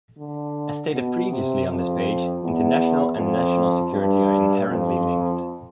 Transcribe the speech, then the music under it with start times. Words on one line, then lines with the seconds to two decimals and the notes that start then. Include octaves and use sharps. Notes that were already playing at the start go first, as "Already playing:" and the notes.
As stated previously on this page, international and national security are inherently linked.
0.18 D3
0.92 B2
1.30 C3
1.68 F2
2.43 E2
3.18 F2
3.93 G2
4.69 F2